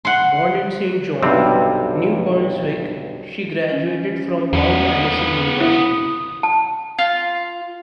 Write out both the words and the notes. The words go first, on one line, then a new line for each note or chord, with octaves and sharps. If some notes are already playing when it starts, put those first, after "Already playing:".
Born in Saint John, New Brunswick, she graduated from Mount Allison University.
F#5 C6
B1 G2 C3 C4
C#4
E2 A#3 B3
E4 D#6
A5
F4